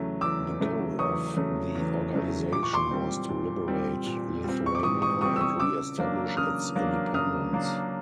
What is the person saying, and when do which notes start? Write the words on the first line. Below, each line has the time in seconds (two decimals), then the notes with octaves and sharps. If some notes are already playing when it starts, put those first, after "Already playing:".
The goal of the organization was to liberate Lithuania and re-establish its independence.
Already playing: E2 C#3 F#3 A3
0.21 E2 D6 E6
0.60 C#3 F#3 A3
0.98 E2 C#6 D#6
1.37 C#3 F#3 A3
1.75 E2
2.14 C#3 F#3 A3
2.52 A#2 D6
2.63 C#6
2.73 C6 D6
2.91 G3 C4
3.29 A#2
3.68 G3 C4
4.06 A#2
4.44 G3 C4
4.66 C#6
4.75 D6
4.83 A#2 C#6 D#6
5.02 C#6 D#6
5.21 G3 C4 C#6 D#6
5.36 E6
5.41 C#6 D#6
5.60 C#3 D6 E6
5.99 F#3 A#3 D4
6.37 C#3 D#6 F6
6.75 F#3 A#3 D4
7.14 C#3 D#6 F6
7.53 F#3 A#3 D4